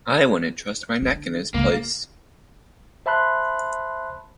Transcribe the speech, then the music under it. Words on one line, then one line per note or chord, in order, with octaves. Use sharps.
I wouldn't trust my neck in his place.
D3
C#2 A#3
C5 E5 A5 B5 C6 F#6